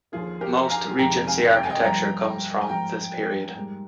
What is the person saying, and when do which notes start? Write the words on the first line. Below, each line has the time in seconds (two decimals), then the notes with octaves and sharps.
Most Regency architecture comes from this period.
0.12 D#2 D3 F3 A#3 F4 G#4
0.41 G4 A#4
0.65 A#5
0.70 F5 G#5
0.98 F2 C3 D#3 G#3 G5 A#5
1.27 F5 G#5
1.56 G5
1.63 G#5
1.71 D#5 G5
1.84 G2 F3 A#3 G5 A#5
2.61 G#5
2.69 G#2 F3 A#3 G5 A#5
3.55 G#2 G3 A#3